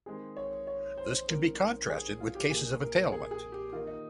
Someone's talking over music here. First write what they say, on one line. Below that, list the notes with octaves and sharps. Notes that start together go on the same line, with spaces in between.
This can be contrasted with cases of entailment.
D#3 G#3 C4 G#4
C#5
C#5
C5
D#3 G#3 C4 A#4
G#4
F4
G4
A#2 F3 A#3 G#4
A#4
G#4
G#4
G4
D#3 A#3 D#4 F4
D#4